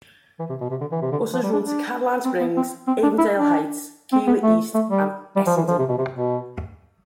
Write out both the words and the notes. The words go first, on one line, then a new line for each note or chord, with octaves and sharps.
Buses run to Caroline Springs, Avondale Heights, Keilor East and Essendon.
E3
C3
B2
C3
D3
E3
C3
D3
F3
G3
D4
D4
C4
B3
C4
C4
D4
E4
D4
C4
B3
A3
A3
G3
G3
F3
E3
F3
C3
B2
C3
B2